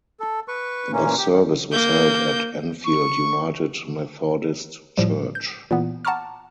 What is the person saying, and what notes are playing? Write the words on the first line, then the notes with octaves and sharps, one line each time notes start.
The service was held at Enfield United Methodist Church.
A4
B4 C#6
A#2 E3 A#3 C#4
G4
D#3
A#3 G6
C#6
A2 F3 G3
G6
A#2 E3 B3
F#5 A5 A#5 C#6 D6 F6